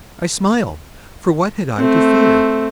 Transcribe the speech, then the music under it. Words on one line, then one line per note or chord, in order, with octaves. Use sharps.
I smiled,--for what had I to fear?
A3 C4